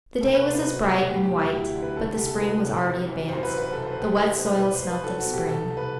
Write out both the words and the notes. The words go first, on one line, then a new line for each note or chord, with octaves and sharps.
The day was as bright and white, but the spring was already advanced. The wet soil smelt of spring.
C2 A4
B4
C2 C5
B4
F#3
B2
F#4
D2 G4
G4
D2
E4
F#3 E4
D3
B4
C2 A4
G4
C2
A4
F#3 B4
C3
F#2
E3
F#2 C5
B4
E3
B4
C2 A4
C5
B4
C2
G4
F#3 G4
C5
B2
B4
C2 B4
C5
C2
B4
F#3 A4
F#4
B2
G4
C2 A4
C2
B4